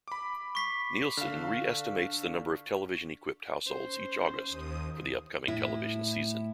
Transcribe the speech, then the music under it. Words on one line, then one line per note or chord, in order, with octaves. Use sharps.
Nielsen re-estimates the number of television-equipped households each August for the upcoming television season.
B5 D6
C#6 B6 C7
D3 F5 F6
C#4 C5
D#2 D#6
A2 E4